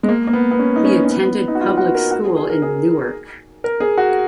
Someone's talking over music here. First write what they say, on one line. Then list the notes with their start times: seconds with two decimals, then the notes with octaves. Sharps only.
He attended public school in Newark.
0.03 G#3
0.09 A#3
0.27 A#3
0.33 B3
0.51 B3
0.59 C#4
0.76 D#4
0.85 C#4
1.05 C#4
1.10 B3
1.22 B3
1.48 D#4
1.55 F#4
1.61 F4
1.77 F#4
1.95 A#4
2.11 F#4
2.25 G#4
2.37 G#4
2.50 A#4
2.62 G#4
3.64 A#4
3.80 G#4
3.98 F#4